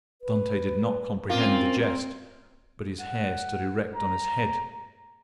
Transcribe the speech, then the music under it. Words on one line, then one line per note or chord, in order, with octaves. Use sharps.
Dantes did not comprehend the jest, but his hair stood erect on his head.
B4
A#3 C4 C#4 F4
F#5
A#5